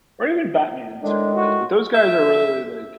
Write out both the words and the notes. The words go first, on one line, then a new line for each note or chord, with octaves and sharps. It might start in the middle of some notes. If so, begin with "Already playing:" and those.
or even Batman in certain ways, but those guys are really like
A2 D#3 G#3 D4
F#4
E5